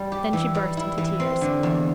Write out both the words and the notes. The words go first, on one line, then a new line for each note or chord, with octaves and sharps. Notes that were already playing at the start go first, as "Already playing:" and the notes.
Then she burst into tears.
Already playing: G3
G4
E3
G3
E4
E3
C4
D3
E2